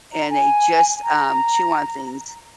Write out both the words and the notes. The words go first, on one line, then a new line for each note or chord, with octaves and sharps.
and they just, um, chew on things,
A#5
G#5
A#5